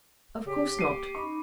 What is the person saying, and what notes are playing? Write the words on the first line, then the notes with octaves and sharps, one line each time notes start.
"Of course not."
C#3 G4
A#3 D6 C7 D#7
C#4 D#4 B5 C#6 D6